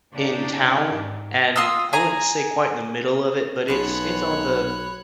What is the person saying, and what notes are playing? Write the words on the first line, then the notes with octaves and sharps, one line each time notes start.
in town, and I wouldn't say quite in the middle of it, but it's it's on the
C#3 D4 D#4 G4
G#2
F4 C6 D#6 E6
G#4 G#5 A#5
B1 G#3 B3 A4 C#5 B5 F#6